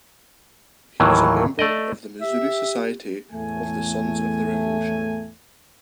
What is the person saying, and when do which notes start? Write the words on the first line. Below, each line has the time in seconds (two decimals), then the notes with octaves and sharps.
He was a member of the Missouri Society of the Sons of the Revolution.
1.00 D#2 A2 D#3 E3 F#3
1.59 A3 D5 D#5
2.21 G4 E5
3.32 E2 A2 A3 G#5